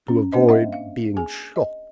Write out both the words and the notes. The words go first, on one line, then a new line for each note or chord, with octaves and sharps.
"To avoid being shot."
C#4
A#3 C4 D4 C5 D#5
D#5 E5 F#5
F5
G#4 G#5
D#5